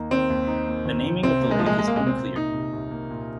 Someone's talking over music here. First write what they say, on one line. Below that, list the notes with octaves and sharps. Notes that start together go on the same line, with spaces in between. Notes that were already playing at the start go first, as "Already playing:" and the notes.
The naming of the lake is unclear.
Already playing: D#2 D#3 A#3 D#4
D#3 C4
D#2
D#4
A#3
D#3
D#2
C2 C4
A#3
G#3
A#2 F3
G#3
C2 G#3
A#3
C2 G#3
C4
A#3
A#2 D#4
C2
C2
A#3
A#2